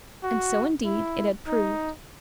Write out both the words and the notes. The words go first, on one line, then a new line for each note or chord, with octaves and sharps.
And so, indeed, it had proved.
F#4
E4
D#4